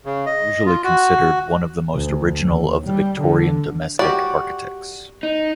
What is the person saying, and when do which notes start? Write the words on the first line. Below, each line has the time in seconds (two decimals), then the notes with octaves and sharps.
He is usually considered one of the most original of the Victorian domestic architects.
0.06 C#3
0.26 D#5
0.66 F4
0.84 F#4
1.94 D2
2.45 D#2
2.85 G3
3.21 D3
3.99 F#4 G4 D5
5.23 D#4